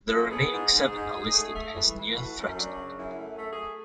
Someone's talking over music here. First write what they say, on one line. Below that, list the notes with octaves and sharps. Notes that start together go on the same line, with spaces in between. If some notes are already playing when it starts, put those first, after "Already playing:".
The remaining seven are listed as Near Threatened.
F#2 A4
B3 G#4
G#2
G#2
G#2
G#2
A3
A3
E3
E3
A3 F#4
F#2
F#3 D4
C#3
F#2 E4
A3
A3
G#4
A3